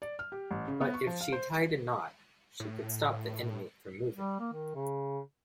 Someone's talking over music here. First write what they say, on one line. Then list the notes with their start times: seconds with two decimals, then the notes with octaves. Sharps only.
But if she tied a knot, she could stop the enemy from moving.
0.02 D5
0.19 F6
0.32 G4
0.51 A1
0.68 C#3
0.81 B3
0.94 C#6
1.07 F3
1.21 F5
1.32 C5
2.60 A2
4.14 G3
4.39 A#3
4.53 D#3
4.75 C#3